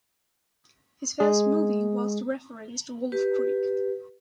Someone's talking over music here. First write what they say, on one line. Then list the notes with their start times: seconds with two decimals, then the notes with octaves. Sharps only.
His first movie was the referenced Wolf Creek.
1.20 G#3 G#4
3.12 G4 B4